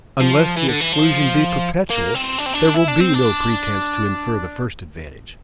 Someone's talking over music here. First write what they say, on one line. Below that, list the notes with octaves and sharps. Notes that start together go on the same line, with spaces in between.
Unless the exclusion be perpetual, there will be no pretense to infer the first advantage.
F3
E3
D3
E3
F3
A#3
C4
D4
C4
D4
E4
D4
C4
D4